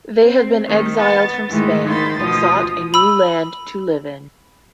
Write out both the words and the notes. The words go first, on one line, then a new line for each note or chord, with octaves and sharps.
They had been exiled from Spain and sought a new land to live in.
C4
D#3 A3
B3 A6
G#2 D#3 E3 G#3 A3
D#3 A#3 C5 B5 A6
D2 B2 F3 D#6
B5 E6